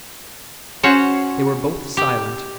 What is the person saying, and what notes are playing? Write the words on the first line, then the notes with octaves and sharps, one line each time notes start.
They were both silent.
C#4 F#4 C5 C#5
G4